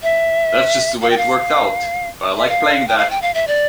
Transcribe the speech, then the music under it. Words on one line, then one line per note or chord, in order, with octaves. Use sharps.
That's just the way it worked out - but I like playing that.
E5
F5
G5
F5
E5
F5
G5
F5
G5
F5
E5
D5